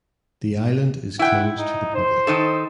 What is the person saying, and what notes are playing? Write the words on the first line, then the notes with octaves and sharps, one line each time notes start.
The island is closed to the public.
E4 F#5 G5
D#4
C5
D#3 D#4 A4